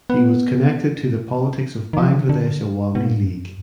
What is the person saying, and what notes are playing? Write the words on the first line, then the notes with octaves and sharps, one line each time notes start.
He was connected to the politics of Bangladesh Awami League.
B3
D#3
F3
D3
D3
B2
A#2
G#2
F#2